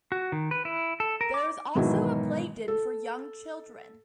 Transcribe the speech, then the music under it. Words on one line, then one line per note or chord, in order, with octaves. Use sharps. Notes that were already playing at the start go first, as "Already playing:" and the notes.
There is also a playden for young children.
F#4
D#3
B4
E4
A4
A#4
D6
G#2 B2 D#3 E3 F#3
A4